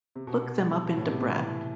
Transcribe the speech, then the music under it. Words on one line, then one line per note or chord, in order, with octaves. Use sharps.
Look them up in Debrett.
C3
B2
B2
A2
C3
C3
E3